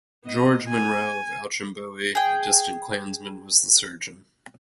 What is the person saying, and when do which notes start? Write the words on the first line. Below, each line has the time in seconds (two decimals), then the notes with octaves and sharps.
George Munro of Auchinbowie, a distant clansmen, was the surgeon.
0.24 B3 D#5
0.68 G#5
2.15 G#4 G5